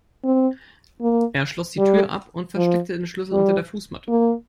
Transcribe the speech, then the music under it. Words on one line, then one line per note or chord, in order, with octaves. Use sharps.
Er schloss die Tür ab und versteckte den Schlüssel unter der Fußmatte.
C4
A#3
G3
F3
G3
A#3